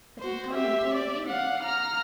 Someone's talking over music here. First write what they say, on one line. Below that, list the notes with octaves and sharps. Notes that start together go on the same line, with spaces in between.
But he come and told me.
F#4 C5
G4 E5
D5
F5 F#5
A#5 F6